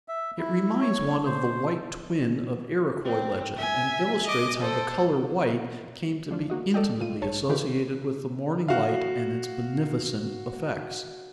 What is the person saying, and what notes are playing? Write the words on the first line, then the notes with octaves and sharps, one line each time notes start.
It reminds one of the white twin of Iroquois legend, and illustrates how the color white came to be intimately associated with the morning light and its beneficent effects.
E5
E4
C#5
C5
C4
E5 G#5
D#5 D6
A4 C5
F3 D4 F4
A#3 F#4 D#5
A4 D5 D#5 G5
A2 F4 D#7
A#1 C#5 A5
D#3 E3 F4 G4 B4
F#4 F5